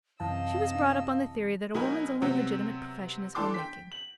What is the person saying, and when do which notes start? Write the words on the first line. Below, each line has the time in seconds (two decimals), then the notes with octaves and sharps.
She was brought up on the theory that a woman's only legitimate profession is homemaking.
0.20 F#2 C3 E3 D#5 F5 A5 E6
1.74 B2 F#3 D#4 A#4 G#5 B5
2.22 C3 F#3 B3 C4
3.35 E3 D4 A4 C6 D6 E6
3.54 G5 B6
3.92 F#7